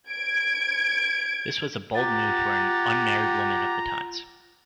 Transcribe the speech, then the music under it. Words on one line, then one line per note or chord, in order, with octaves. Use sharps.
This was a bold move for an unmarried woman of the times.
G#6 D7
F4 G4 F#5 A#5 A6